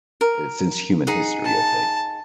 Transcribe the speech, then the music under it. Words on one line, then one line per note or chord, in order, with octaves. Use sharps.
eh, since human history, I think.
A#4
D#4 G#4 F#5
A5